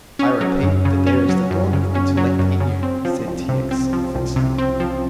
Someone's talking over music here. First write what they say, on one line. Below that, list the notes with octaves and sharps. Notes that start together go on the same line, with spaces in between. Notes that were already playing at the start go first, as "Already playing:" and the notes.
"I repeat that there is the dawn of an intellect in you," said T. X., offensively.
C#4
F#3
F#2
C#3
C#4
F#3
F#2
C#3
C#4
F#3
F#2
C#3
C4
F3
C2
C3
C4
F3
C2
C3
C4
F3